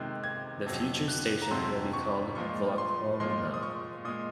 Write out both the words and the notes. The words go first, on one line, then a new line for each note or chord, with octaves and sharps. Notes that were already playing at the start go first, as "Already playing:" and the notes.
The future station will be called Volkhonka.
Already playing: C3 D#3 G#3 F#6
G#6
F2 C3 F#3 G#6
F#6
A#5
F2 C3 F#3 C6
C#6
A#2 F3 G#3 C#6
C6
A#2 F3 G#3 C6
D#6
C#6
A#2 G#3 D#6